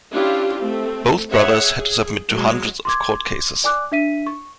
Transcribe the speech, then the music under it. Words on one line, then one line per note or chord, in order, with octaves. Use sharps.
Both brothers had to submit to hundreds of court cases.
C#4 D4 E4 F4 G4
A3 C4
G#4 C#5 E5 F#5
G#4
F#3 G#3
C6 D6 G#6
D5 G#5 D6 F#6
D4 E5 B6 D#7
C#6